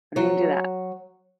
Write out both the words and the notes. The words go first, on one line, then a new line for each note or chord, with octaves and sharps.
I don't even do that.
F#3 C#5